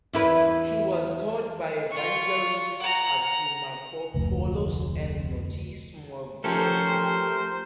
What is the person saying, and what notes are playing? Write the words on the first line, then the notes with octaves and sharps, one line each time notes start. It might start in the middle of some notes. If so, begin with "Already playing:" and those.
He was taught by Vangelis Assimakopoulos and Notis Mavroudis.
E2 E4 B4
F4 C#6
F#5 A#5
F1 D2
F3 A3 C#4 G4 A4 A#4 C5 F6